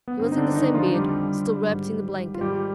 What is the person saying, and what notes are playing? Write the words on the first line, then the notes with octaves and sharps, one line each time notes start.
He was in the same bed, still wrapped in the blanket.
B3
G2 D3 C4
D#4
D3 D4
D#3 D#4
F3 F4
F2 D3 G3 G4
G#2 D#3
F4
G#2 D#3 G3 G4